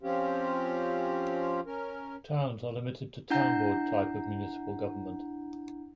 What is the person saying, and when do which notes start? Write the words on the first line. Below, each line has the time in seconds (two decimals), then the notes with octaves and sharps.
Towns are limited to town board type of municipal government.
0.02 F3 C4 C#4 F4 G4
1.66 C#4 A#4
3.30 D4 E4 F#5 A#5 G6